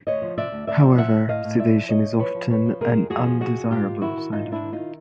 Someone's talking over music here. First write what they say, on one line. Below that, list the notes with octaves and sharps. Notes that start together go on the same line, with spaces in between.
However, sedation is often an undesirable side effect.
D2 C#5 D#5
F3
C3 D5 E5
D2
D2 D5 E5
F3
C3 E5 F#5
D2
A2 D#5 F5
A2
F3 D5 E5
F3
A2 C#5 D#5
A2
F3 B4 C#5
F3
F2 B4 C#5
F3
C3 G#4 A#4
F2
F2 F#4 G#4
F3
C3 F#4 G#4
F2
G#2 F4 G4
G#2
D#3 E4 F#4
D#3
G#2 D#4 F4
G#2
D4 E4
D#3
D#4 F4
D#3